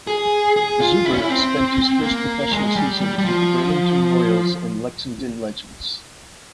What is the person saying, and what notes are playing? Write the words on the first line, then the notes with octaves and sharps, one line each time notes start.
Zuber spent his first professional season with the Burlington Royals and Lexington Legends.
G#4
G#4
F4
E4
C#4
E4
C4
A#3
G#3
G3
G3
G3
F3